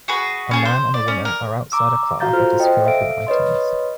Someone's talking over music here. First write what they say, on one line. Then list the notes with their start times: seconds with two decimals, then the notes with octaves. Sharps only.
A man and a woman are outside a car that is filled with items.
0.08 F#4 G#4 B4
0.51 C#4 G#4 A5
0.65 C5
0.94 D5
1.08 C#4
1.25 A#4
1.72 A#5 D6 E6
2.20 F#4 F5 A#5 G6 A6
2.33 F4 A4 C5 F6
2.60 C5 D#5 G5
2.84 A4 E5 F5 D7
3.27 B4 C#5 D#5 C6